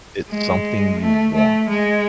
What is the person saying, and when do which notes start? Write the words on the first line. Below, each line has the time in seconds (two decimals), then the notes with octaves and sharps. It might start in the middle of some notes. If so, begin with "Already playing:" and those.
It's something you want.
0.29 G#3
1.00 A3
1.35 A3
1.70 G#3